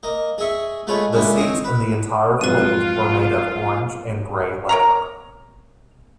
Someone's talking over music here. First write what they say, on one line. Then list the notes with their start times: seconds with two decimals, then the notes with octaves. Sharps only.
The seats in the entire fleet were made of orange and grey leather.
0.03 A#3 D#5
0.38 G#4 D#5 E5 C#6
0.87 G#3 A3 F4 G#4 B4 C#5
1.13 A#2 D3 G#3 C#4 E4
1.36 C4 C#5 D#5 D#6
1.64 B4
2.41 F2 G#2 F#3 F4 B4 D#7
4.69 A#4 C#5 A#5